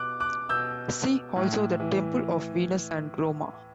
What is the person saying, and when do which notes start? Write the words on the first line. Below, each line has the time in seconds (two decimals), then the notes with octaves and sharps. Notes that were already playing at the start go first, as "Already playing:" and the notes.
See also the Temple of Venus and Roma.
Already playing: B2 D6 F#6
0.20 D6 F#6
0.49 B2 E6 G6
1.36 A2
1.80 E3